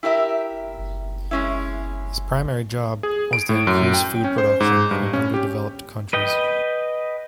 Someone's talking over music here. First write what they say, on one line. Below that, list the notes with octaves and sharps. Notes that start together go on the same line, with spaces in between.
His primary job was to increase food production in underdeveloped countries.
E4 G4 A#4 E5
G#3 C#4 E4
G#4
D7
A2
F#2
G5
C#4
C5
G#2
G2
C#4
G4
B4 D#5 G5